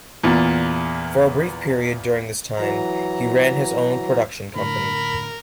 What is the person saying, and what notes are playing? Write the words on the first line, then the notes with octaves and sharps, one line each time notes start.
For a brief period during this time, he ran his own production company.
E2 A#2
E3 F#3 A#5
A2 D3 A#4 B5